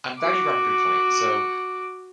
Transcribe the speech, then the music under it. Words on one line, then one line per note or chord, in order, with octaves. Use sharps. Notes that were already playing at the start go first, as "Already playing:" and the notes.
I'm glad you brought up a good point. So,
F#4 D6